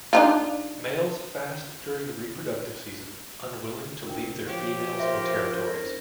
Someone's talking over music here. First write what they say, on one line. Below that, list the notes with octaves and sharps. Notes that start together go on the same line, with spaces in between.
Males fast during the reproductive season, unwilling to leave their females or territories.
D4 D#4 F4
D2 A#4 G5
F3 G4 C#5
A#4 C5 D#5 E5 C6
E1 D5